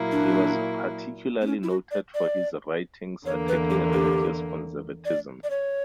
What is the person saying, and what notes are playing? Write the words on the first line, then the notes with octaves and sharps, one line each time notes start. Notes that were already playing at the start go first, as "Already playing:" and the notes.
He was particularly noted for his writings attacking religious conservatism.
Already playing: A#2 F#3 A#3 E4
D4
B3
C#4
E4
F#4
D5
D5
E2 D3 A#3 C#5
B4
G4
G4
D5
D5
C#5